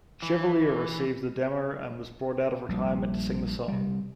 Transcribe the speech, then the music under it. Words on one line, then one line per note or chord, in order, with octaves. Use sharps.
Chevalier received the demo and was brought out of retirement to sing the song.
E3
A#1 G3
C3 G3